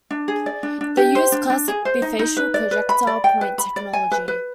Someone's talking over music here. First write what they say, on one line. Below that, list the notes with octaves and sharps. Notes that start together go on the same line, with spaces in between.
They used classic bifacial projectile point technology.
D4
G#4
D5
D4
D4
G4
C5
D4
D4
G#4
C5
D#4
D#4
B4
D5
B4
B5
D5
G5
B4
B5
D5
G#5
B4
B4